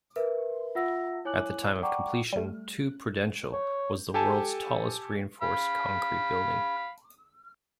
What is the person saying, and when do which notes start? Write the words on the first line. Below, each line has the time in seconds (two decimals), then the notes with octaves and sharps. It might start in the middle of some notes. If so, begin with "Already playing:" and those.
At the time of completion Two Prudential was the world's tallest reinforced concrete building.
0.16 A#4 B4 E5
0.75 F4 E5 F#5 E6 A#6
1.25 E4 C#5 G#5 D6 F#6 F#7
1.83 D5 F#5 G5 A#5 C#6 D6
2.33 G3 A3
3.53 C#5
4.14 G4 A4 G#5 A5
5.42 F5 B5